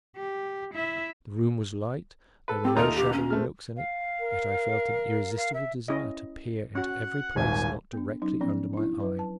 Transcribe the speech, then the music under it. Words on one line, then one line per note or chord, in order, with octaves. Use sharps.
The room was light, there were no shadowy nooks in it, yet I felt an irresistible desire to peer into every place not directly under my eye.
G4
E4 E5
A4 B4
C4 G4
D#2 A3 D#4 F4 A#4 A#5
A#1 G4
C#4
G#3 A3 C4 F6
F5
A#4
F5
E5
C#4 E4 D#5
C#4 F#4 F#5
D#1 G#1 G#5
B3 D4
F#3 C#4 D#4
F3 B3 C#4
D4 E4
F#3 B4
A5